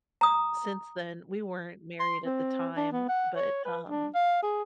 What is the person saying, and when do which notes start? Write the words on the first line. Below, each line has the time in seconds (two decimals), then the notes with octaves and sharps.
since then we weren't married at the time, but, um,
0.21 A#5 D#6
2.00 C6
2.26 C4
2.77 D4
2.92 B3
3.09 F#5
3.36 C#5
3.65 B4
3.89 D4
4.14 F5
4.43 G#4